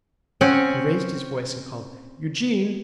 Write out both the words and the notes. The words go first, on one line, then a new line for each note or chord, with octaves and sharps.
He raised his voice and called 'Eugene!
C4 C#4 F#5 G#5